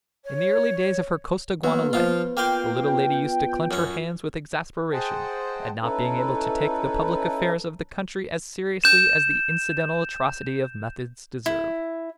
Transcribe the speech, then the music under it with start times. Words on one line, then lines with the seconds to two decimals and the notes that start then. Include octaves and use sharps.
In the early days of her Costaguana life, the little lady used to clench her hands with exasperation at not being able to take the public affairs of the country as seriously as the incidental atrocity of methods deserved.
0.25 C#5
1.64 F#3 A#3 B3 B4
1.93 F3 F4
2.37 A#3 F4 F5 G5 C6
3.71 F#2 C#4
4.93 G#4 C5 D#5 F#5 G5 A5
5.83 C#4 D#4 E4 A4 B4
8.84 G6 E7
11.46 E4